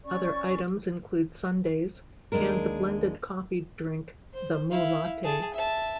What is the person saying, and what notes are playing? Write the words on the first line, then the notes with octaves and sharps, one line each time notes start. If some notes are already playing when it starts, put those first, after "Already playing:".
Other items include sundaes and the blended coffee drink, the MooLatte.
C#4 D5 C#6
D#2 G#2 G#3 D4 A#4
C5
E4 F5
G#4 A5
E5 A5